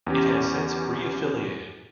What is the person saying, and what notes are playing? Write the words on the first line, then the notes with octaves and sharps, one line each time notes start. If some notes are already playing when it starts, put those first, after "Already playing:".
It has since re-affiliated.
E2 C#4 G4